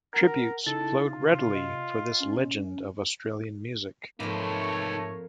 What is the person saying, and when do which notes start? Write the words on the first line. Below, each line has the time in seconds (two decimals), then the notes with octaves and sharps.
Tributes flowed readily for this legend of Australian music.
0.13 A#4 F#5
0.67 C#3 D#4 E4 A4 A6
1.08 C3 F4
1.55 D#5
2.20 C#4
4.20 F2 G#2 A3 A#3 D#4 B4 C#5